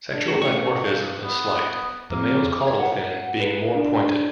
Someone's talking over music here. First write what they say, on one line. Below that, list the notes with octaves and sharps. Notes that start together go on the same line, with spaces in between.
Sexual dimorphism is slight, the male's caudal fin being more pointed.
D4
C#3 A3 F#4 G4
C#6
D#5 F5
B3
F2 A#3
C#5
F#5
B4
D4